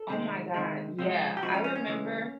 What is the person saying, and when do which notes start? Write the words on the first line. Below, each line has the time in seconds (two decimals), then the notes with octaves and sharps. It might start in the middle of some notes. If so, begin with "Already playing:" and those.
Oh my god, yeah, I remember
Already playing: A4
0.10 C3 D#3 G#3
0.54 C3 D#3 G#3
0.99 C3 F3 G#3
1.37 G4
1.42 C3 F3 G#3 F#4
1.54 C#4
1.64 C#4
1.75 C#4
1.87 C#3 E3 G#3